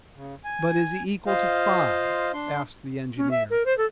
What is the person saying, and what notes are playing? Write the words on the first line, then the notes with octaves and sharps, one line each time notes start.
"But is he equal to five?" asked the engineer.
C#3
G#5
F4 C5 D#5 F5
D4 C6
C#4
E5
A#4
C5
A4